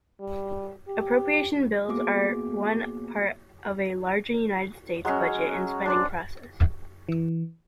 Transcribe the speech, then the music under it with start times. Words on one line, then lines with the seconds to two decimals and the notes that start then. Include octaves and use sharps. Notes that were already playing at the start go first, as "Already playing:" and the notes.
Appropriations bills are one part of a larger United States budget and spending process.
0.20 G3
0.88 G4
1.89 A#3 B3 F#4 G#4 D6
5.05 F#3 G#3 C#4
5.86 D4 C5 D5
7.09 E3